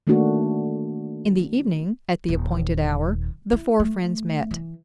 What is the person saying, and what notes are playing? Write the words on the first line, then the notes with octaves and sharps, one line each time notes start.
In the evening, at the appointed hour, the four friends met.
D#3 A3 A#3 D4 F#4
D#1
E4
A3
E3